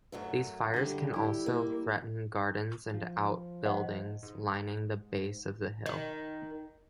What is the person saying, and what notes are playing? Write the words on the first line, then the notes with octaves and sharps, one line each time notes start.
These fires can also threaten gardens and outbuildings lining the base of the hill.
F#2 F#3 A3
D3 G3
E4 G4
A#3
F3
C5 D#5 F#5
G#2
D#3